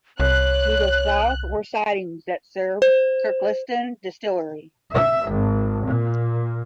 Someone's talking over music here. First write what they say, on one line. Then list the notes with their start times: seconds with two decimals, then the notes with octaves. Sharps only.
To the south were sidings that served Kirkliston Distillery.
0.20 C2 C#5 F#6
2.82 C5
4.93 E5
5.27 G#1
5.86 A#2